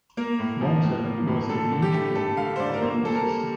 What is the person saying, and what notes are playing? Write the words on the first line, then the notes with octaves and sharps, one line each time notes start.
Malta was the lynch-pin of the whole system.
A#3 A#4
A2
F3
A2
A#3
A2
D3 A4
D3
G4
A3
A3 A4
D3 F5
C5
D3 D5
A#4
A#3 C5
A#2 A4
A#4
G3